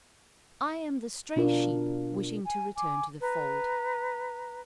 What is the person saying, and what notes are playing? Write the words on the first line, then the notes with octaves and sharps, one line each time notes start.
I am the stray sheep wishing to return to the fold.
B2 D4 F4 A#4
G#5
G#5 D6
B4 A#5